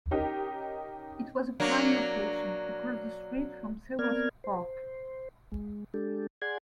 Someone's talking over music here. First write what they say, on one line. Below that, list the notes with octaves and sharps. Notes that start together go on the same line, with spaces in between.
It was a prime location, across the street from Seward Park.
C#4 D#4 G4 A#4
F#3 A#3 D4
B3 C4 A#4 D5 F6 G#6
C5
G#3
G#3 D4 G4 A4
G#4 D5 F#5 G#5 C6 G#6